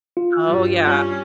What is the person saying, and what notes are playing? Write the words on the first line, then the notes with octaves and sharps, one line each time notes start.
Oh, yeah.
F4
G2 G3
G3 C#4